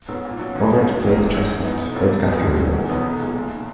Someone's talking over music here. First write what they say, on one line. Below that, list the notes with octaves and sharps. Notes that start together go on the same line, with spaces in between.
Rogard played chess at third category level.
G#2 F#3 B3
A#2
F#3 C#4 F#4
D#2
C#3 G#3 D#4 F#4
G#1
F#2 D#3 A#3
G#1
F#2 D#3 F#3
G#2
E3 B3 D#4
B1
A#2 F#3 B3
E1
E2 B2 G#3 B3
G#1
G#2 F#3 C#4
E2
B2 F#3 B3 D#4
B1
A#2 G#3
F#1
D#3